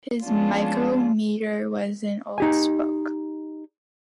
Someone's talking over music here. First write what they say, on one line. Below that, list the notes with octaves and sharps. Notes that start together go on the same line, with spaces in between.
His micrometer was an old spoke.
F3 G#3 B3 C#4 D4 F4
D#4 G4 G#5